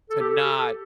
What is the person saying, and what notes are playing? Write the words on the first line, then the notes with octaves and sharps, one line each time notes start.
to not
A4
G4
A4